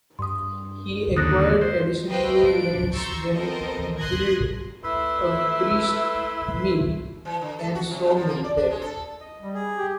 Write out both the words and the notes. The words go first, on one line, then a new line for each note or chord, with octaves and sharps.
He acquired additional lands when he built a grist mill and sawmill there.
G2 C6 D#6
D#2 D3 D#6 F#6 A#6
C5
G4 B4 C5 D#5 F5 G5
D4 D7
A#5 C6 C#6 E6 G6 A6
B3 C4 A4 A#4 C5 D#5
C6 D#6 F#6 G#6 A#6
A3 E4 B4 C6 E6
E3
D3
A4
F#4
C3
G#2
F3
A#3
D5
D4
G#3
A4
D#5
G3
G#4
G4